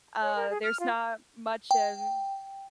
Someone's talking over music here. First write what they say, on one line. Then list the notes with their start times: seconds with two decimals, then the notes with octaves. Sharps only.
uh, there's not much of,
0.22 C#5
0.36 A#4
0.50 G#4
0.63 F6
0.80 F4
1.71 G5